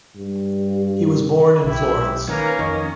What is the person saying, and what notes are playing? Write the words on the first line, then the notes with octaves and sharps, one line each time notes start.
He was born in Florence.
G2
B1 E4 G4
D#3 A#3 C#4 A#4 B4
F2 D#3 D#5 C#6